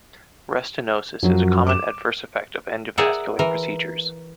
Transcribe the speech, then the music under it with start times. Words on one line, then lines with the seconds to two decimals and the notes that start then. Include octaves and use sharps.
Restenosis is a common adverse event of endovascular procedures.
1.23 F#2 F3 F#3
1.67 D6 E7
2.98 G#4 A#4 D5 E5 F#5
3.39 E3 A#4